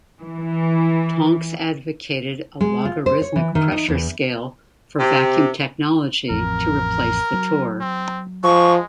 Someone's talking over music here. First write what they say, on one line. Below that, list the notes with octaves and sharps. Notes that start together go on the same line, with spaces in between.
Tonks advocated a logarithmic pressure scale for vacuum technology to replace the torr.
E3
G#3
F4
C5
C#5
E3
D#3
D#4
E2
C3
A1 F2 A#4
F#3
C4
F3 G#3 C#6